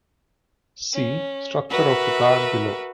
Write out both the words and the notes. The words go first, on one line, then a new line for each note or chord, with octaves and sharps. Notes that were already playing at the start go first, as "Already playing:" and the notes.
See "structure of a card" below.
C#4
F#4 A#4 B4 E5